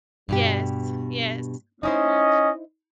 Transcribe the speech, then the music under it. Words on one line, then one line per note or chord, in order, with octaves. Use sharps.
Yes, yes, mhm.
G2 B2 G4
C#4 D#4 E4 C5 D#5